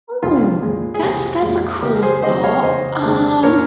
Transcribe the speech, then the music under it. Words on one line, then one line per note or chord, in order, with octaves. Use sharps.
Oh, that's a that's a cool thought, um
C2 F4
A#2 G#3
G#4
C2 G4
A#2 G#3
C#2 G4 A#4
G#4 C5
C3 D#3 G#3 C5 D#5
C#5 F5
C#2 C5 D#5
C3 D#3 G#3
A#2 A#4 C#5